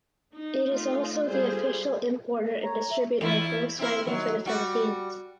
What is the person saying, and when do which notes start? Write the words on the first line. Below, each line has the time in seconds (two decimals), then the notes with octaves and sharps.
It is also the official importer and distributor of Volkswagen for the Philippines.
0.34 D#4
0.70 A3 D#4 F4
1.25 G3 F4 G#4 A4 C5
2.63 C#5 A#5
2.90 E5
3.21 E2 E4 F4
3.79 C4 E4 A#4
4.05 D#3 F#3
4.46 G3 F#4